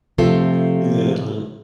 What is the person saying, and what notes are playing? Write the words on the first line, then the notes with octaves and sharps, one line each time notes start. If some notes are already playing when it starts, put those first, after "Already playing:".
Yeah man,
C3 F3 A3 F4 A4